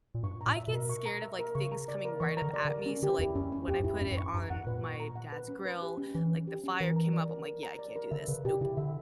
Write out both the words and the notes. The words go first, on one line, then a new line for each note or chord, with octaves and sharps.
I get scared of, like, things coming right up at me, so, like, when I put it on my dad's grill, like, the fire came up, I'm, like, "Yeah, I can't do this. Nope,
A#2
G2 C#6
A#5
A#2
E5
B2
A#4
C#6
A#5
E5
A#4
C#3 C#6
A#5
D5
A#4
E3 C#6
D3 A#5
D5
D3
A#4
C#4
D3 G4
E2 E4
F#2 C#4
C#4
E2 G4
G2
F#2 E4
G2 C#4
F#2
G2 C#6
G2 A#5
F#2 F#5
A#2 B4
C#6
A#5
F#5
B4
C#4
B4
G4
C#4
E3 C#4
B4
G4
C#4
E3 A#4
A#5
D5
A#4
A#4
A#5
D5
A#4
D3 E5
C#3 B4
B2 G4
C#3 E4
D3 E5